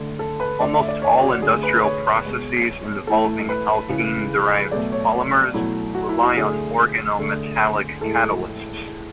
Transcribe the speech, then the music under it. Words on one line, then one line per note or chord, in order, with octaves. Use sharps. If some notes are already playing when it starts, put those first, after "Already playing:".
Almost all industrial processes involving alkene-derived polymers rely on organometallic catalysts.
Already playing: D3 A3
A4
B4
D3 A3 D5
E5
D5
C#5
F#4
D3 A3 G#4
B4
C#5
B2 G#3
A2 E3 A3 A4
B4
C#3 E3 G#3
B2 F#3 A3 D5
C#5
B2 F#3 A3 E4
F#4
E4
F#4
D3 A3 G#4
D3 A3
A2 G#3 A4